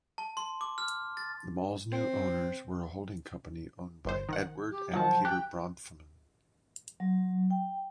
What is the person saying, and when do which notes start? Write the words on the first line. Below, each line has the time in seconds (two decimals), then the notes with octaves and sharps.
The mall's new owners were a holding company owned by Edward and Peter Bronfman.
0.18 A5
0.37 C6
0.61 D6
0.78 F6
1.17 A6
1.93 C4
4.05 G1 C5
4.29 D#3 F#5
4.71 G4
4.94 D#3 F3 F#3 C5 F#5 A5
5.25 G4 G5 F#6
7.00 F#3
7.51 G5